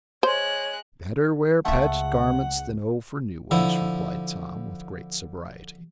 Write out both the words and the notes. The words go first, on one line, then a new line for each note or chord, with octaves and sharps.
"Better wear patched garments than owe for new ones," replied Tom, with great sobriety.
G#3 C5 C#5 F#6
C#2 A3 F4 E5 F#5
D3 F3 E4